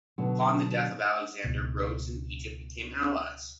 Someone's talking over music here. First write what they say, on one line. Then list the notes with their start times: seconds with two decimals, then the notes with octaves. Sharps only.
Upon the death of Alexander, Rhodes and Egypt became allies.
0.18 B2 D3 F#3
1.44 C#2 B2